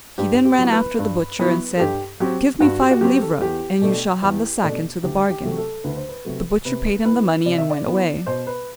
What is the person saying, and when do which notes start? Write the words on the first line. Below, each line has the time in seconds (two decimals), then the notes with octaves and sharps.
He then ran after the butcher, and said, "Give me five livres, and you shall have the sack into the bargain." The butcher paid him the money, and went away.
0.18 G2 G4
0.45 G4
0.58 F#3 B3 E4
0.71 B4
0.99 G2
1.39 F#3 B3 E4
1.76 A4
1.80 G2 G4
2.20 F#3 C4 G4
2.60 G2 F#4
2.81 G4
2.91 F#4
3.01 F#3 C4 G4
3.21 A4
3.41 E2 G4
3.81 B2 A3 D4
4.22 E2
4.63 B2 A3 D4
5.03 D2 G4
5.30 G4
5.43 C3 F#3 A3
5.57 A4
5.84 D2 B4
5.97 C5
6.09 B4
6.25 C3 F#3 A3
6.65 C3 B4
7.05 E3 B3 B4
7.46 C3 D5
7.58 E5
7.70 D5
7.86 E3 B3
8.26 B2 C5
8.47 B4